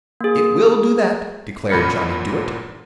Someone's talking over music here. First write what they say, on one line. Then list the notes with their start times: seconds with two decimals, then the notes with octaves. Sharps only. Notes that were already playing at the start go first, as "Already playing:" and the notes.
"It will do that," declared Johnny Dooit.
0.21 A#3 G#4
1.70 G1 E2 A#2 B5 F6 C#7